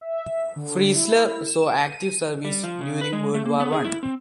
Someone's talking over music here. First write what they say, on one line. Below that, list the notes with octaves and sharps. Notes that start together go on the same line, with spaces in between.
Freisler saw active service during World War One.
E5
D3
E4
E7
D#7
G3
F3
C#3
B4
G#3
A3
A#3
B3
G#4
E4
C4